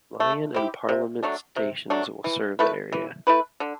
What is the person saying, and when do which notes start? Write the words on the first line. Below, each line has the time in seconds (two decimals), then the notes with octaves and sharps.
Lyon and Parliament Stations will serve the area.
0.20 A3
0.54 C4 E4 G4
0.89 C3
1.23 F#3 A3 D4
1.56 C3
1.90 F#3 A3 D4
2.24 E3
2.59 A3 E4 B4
2.92 E3
3.27 A3 E4 B4
3.60 D3